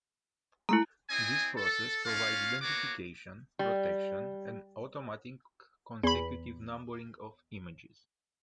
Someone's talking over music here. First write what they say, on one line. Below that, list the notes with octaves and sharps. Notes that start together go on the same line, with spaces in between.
This process provides identification, protection, and automatic consecutive numbering of the images.
G#3 A3 E4 A#5
C4 E4 D#5 G#5
A4
C#4 F4 D5 F5
A#3 B3 F#4 C#5 D6
G3
E2 B5